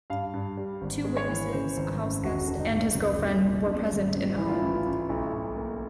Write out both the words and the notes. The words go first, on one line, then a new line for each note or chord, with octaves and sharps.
Two witnesses, a house guest and his girlfriend were present in the home.
G2 F5
G2
G3
G#1
G#3
C#5
E3
C#3 C5
G#1
F#2
E1 F#4
D3
D#4
E1
C2 C#4
C2
A#2
F#2 D4
G#1
C#3
E3 E4
F4
E4
A1
F4
A1
B1 E4
B1
A#3